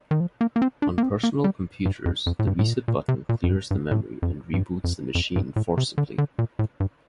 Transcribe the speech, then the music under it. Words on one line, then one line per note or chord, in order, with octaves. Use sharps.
On personal computers, the reset button clears the memory and reboots the machine forcibly.
D#3
F3
A#3
A#3
C4
D4
A#3
C4
A#3
G3
G2
F2
F2
A2
G2
A2
A#2
A#2
C3
A#2
F2
G2
G2
A2
F2
G2
F2
F2
G2
A2
C3
D3
D3
A#2
A2
G2